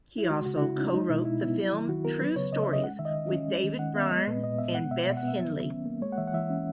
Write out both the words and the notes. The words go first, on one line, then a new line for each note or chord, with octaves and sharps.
He also co-wrote the film "True Stories" with David Byrne and Beth Henley.
E4
G#3 F#4
C#3 F#4
F#4
C#3 E4
C#4 D#4
G#3 D#4
B2 E4
B2 E4
B3 E4
F#3
D#3
D#3 F#4
B3 A#4
F#3 B4
C#3 C#5
C#3 D#5
E5
C#4 D#5
G#3 F#5
D#3 E5
D#5
D#3
C#4
G#3
D#3
D#3 F#5
B3 E5
G#3 D#5
A#2 B4
A#2 D#5
B3 E5
G#3 F#5
B2 E5
B2
F#5
B3
E5
F#3
D#3
C#4
A#3
G#3 C#5
F#5
E3 E5
F#5
E3 E5
C#4